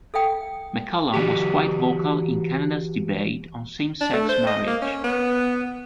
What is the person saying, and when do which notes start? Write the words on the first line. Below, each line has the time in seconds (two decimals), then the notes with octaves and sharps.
McCallum was quite vocal in Canada's debate on same-sex marriage.
0.14 A4 E5 F5 G5 D#6
1.14 E3 F#4 G4
4.01 D4
4.13 A3
4.29 C5
4.47 D#5
4.67 A#3
4.82 C#4
5.04 B3